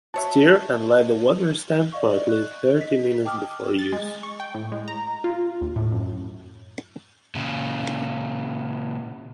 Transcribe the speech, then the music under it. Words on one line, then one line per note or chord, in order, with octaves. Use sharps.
Stir and let the water stand for at least thirty minutes before use.
F#4 C#5 E5 A5
D5 D#5 F5 C#6
F#6
D#5 B6
G5 A5 D6 D#6 F6
A6
G#3
C#6
G5
A2
G#3
A#5
F4
D#2
A2
F#2
A#2 C#3